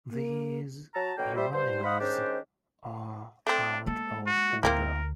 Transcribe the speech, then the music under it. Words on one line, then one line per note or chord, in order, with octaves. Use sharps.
These urinals are out of order.
A#3
F#3 A5 A#5
B2 D3 F#3 A#3 G5
G3 C5 E5
G2 C5
C5 D#5 F5 F#5 B5 D#6
D#3 G#3 C#4 D4 G4 C5
A3 C4 D4
G#3 A#3 A4
F#4
D2 A#3 C4 E4 A#4